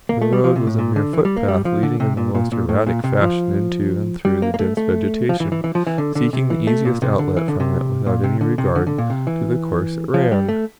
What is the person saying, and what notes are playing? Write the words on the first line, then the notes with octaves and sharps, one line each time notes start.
The road was a mere footpath, leading in the most erratic fashion into and through the dense vegetation, seeking the easiest outlet from it without any regard to the course it ran.
A#3
A3
G3
F3
C3
A2
A#2
D3
E3
G3
A#3
G3
F3
D3
C3
A#2
A#2
A#2
A2
A#2
C3
F3
G3
A#3
A#3
A3
A3
F3
E3
E3
E3
F3
E3
D3
D3
C3
E3
A3
A#2
C3
D3
E3
D3
C3
A#2
C3
D3
C3
D3
D3
A#2
C3
E3
F3
G3
A3